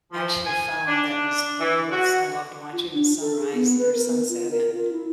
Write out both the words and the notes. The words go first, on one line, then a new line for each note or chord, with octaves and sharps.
actually found that was was I loved watching the sunrise or sunset in
F3
G#5
D4
E3
F#4
F4
D4
A4
G#4
B3
B4
A#4
B3
F4
A#4
F4
E4